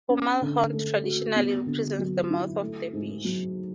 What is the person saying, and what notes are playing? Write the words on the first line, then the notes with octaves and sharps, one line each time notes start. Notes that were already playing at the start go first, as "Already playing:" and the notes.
Fomalhaut traditionally represents the mouth of the fish.
C#4
D3
A3
F#4
B3
D3
F#3
E4
A3
G#2
F#3